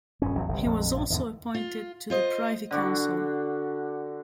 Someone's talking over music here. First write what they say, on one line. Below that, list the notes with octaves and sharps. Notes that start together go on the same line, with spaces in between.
He was also appointed to the Privy Council.
D#1 G2 C#4
G#1 E2 F#3
G1 C2
A#1 F2
A#1 G2
E2 G#2 D3
F4
F4 C5 D#5
D3 D4 F#4